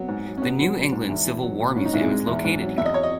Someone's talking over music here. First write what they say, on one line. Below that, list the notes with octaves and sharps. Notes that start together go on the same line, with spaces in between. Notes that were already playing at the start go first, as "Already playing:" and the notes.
The New England Civil War Museum is located here.
Already playing: F#3 B3
G#2
F#3
C#4
B2 B3
F#3
F#3
G#2
E2
E3
F#3
A#2
G#2 C#4
D#4
G#2 E4
G#4
G#3
E2
G#2
F#3
E2 E5
D#5
C#5
D#5